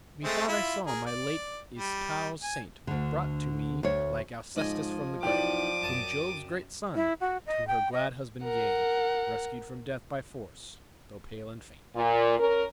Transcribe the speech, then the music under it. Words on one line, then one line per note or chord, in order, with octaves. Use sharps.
"Methought I saw my late espoused saint Brought to me like Alcestis from the grave, Whom Jove's great son to her glad husband gave, Rescued from death by force, though pale and faint."
G#3 A3 C4
E4 F4
G#4 A#4
D5
G3
G#5
D2 D3
D2 C#5
G#2 F3 D5 D#5 G#5
B1 E3 D5 G5 D6 D#7
F#2 A5 D#6
E4
F#4
D#5
G5
D#5
A#4 F#5
A#2
C#4 A#4